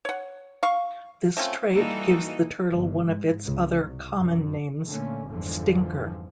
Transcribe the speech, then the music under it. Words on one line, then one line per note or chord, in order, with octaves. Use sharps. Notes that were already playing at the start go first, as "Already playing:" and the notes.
This trait gives the turtle one of its other common names, "stinker".
C#5 F#5
F5 C#6
A3 C4 C#4 F4
E3 G3 A#3 D#4 F#4 A4
G1
G#2
C#2
C2
F#2
A#2 D3 A3 A#3 C#4
G1 F2 G#2 D3 E3 F3